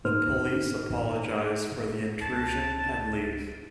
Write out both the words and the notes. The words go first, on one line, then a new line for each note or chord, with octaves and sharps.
The police apologize for the intrusion and leave.
G#2 A#3 D#4 C5 F6
C#2 A5